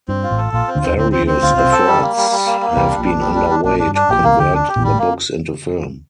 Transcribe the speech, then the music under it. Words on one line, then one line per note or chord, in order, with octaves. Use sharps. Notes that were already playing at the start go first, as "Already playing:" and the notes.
Various efforts have been under way to convert the books into film.
G2 C4
F4
A1 A2
A4
A#1 A#2 F4
C4
D2 D3
D#2 D#3 C4
D2 D3 C4
C4
D2 D3
C4
D2 D3 F4
C2 C3
C4
C2 C3
A4
G3
A#3
G3
G3
A#3
A#3
C2 C3 G3
D4
A#1 A#2
D4
G3
D4
D4
A#1 A#2 D4
D4
G2
D4
A#1 A#2 G4
C2 C3 A#3
D2 D3 G4
D2 D3 D4
G4
A#1 A#2
A1 A2 G3
A#3